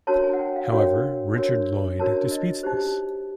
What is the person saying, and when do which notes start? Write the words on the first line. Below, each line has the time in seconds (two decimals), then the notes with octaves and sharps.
However, Richard Lloyd disputes this.
0.07 D4 F#4 A#4 C#5 A5
0.24 G#5
0.33 F#5
0.39 G5
0.56 F5
0.71 D4 F#4 A#4 C#5 G5
1.36 D4 F#4 A#4 C#5
1.99 D4 F#4 A#4 C#5 A5
2.31 D#5
2.63 D#4 G4 C5